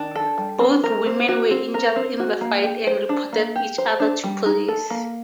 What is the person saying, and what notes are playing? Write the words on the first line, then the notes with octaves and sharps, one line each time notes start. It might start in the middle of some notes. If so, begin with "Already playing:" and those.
Both women were injured in the fight and reported each other to police.
Already playing: D#3 D4
A4
G3
C4
A#4
C4
F#4
C4
A#4
C4
F#4
A#3
G4
C5
D4
A#3
G4
C5
D4
G3
D#4
A4
A#3